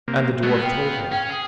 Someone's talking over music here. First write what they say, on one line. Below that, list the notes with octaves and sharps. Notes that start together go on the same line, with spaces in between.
And the dwarf told him.
C3 A#3
B2 G#3 A3 B3 F#4
F5 G5
C#4
G#4